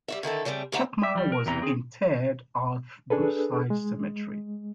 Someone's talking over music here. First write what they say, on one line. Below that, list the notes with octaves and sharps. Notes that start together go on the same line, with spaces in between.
Chapman was interred at Brookside Cemetery.
G3 F#4 E5
D3 D#3 E4 A4
C#3 G3 A3 A#3 C4
D2 A2 E3 E5 F#5 A#5
E5
F3 G3
A#4
E2 C3 E3 A#5
C4 G#4
D4 G#4 A4 B4
G#3